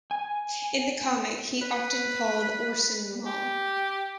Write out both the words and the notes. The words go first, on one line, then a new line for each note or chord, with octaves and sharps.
In the comic, he often called Orson Mom.
G#5
B4
G4